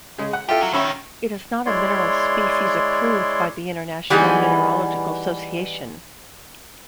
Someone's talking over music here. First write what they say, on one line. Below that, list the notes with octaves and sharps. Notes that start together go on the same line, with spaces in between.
It is not a mineral species approved by International Mineralogical Association.
C#3 G#3
F#5
E4 F4 G4 A4
F#3
B1 D#3 C#4 E5 B5
G#3 E4 C#5 D5 C6
E3 G3 B3 D#4 G#4